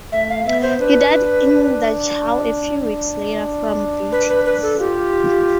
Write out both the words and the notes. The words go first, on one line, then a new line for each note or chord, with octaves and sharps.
He died in Dachau a few weeks later, from beatings.
A3 E5
F5
B3 E5
C5
D4 B4
D4
D4
B4
B4
B4
A4
F4 G4